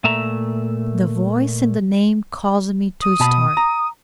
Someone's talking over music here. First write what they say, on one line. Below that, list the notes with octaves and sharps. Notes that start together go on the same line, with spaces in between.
The voice and the name caused me to start.
A#2 A3 E5 A#5
D#6
B2 A5 B5
A#5